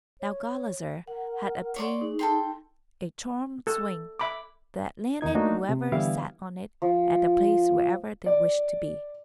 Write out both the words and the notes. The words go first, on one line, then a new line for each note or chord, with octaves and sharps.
Now Gulizar had obtained a charmed swing, that landed whoever sat on it at the place wherever they wished to be.
C#5
A#4 F#5
C#5 D5 C6
D#4 G#4
A4 G5 C6
A4
E5 B5 D6
E2 D#3 D#4 G#6
F#3 A3 A#3 D4 D#4 F#4
C3
D3 E3 G3 B3 E4 F5
F3
D5